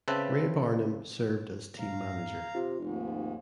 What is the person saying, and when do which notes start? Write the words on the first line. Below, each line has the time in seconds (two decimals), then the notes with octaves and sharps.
Ray Barnum served as team manager.
0.08 C#3 C4 B4 E5 A5
1.79 G#2 F5 A#5
2.55 C3 F4
2.80 F1 D#2 G#2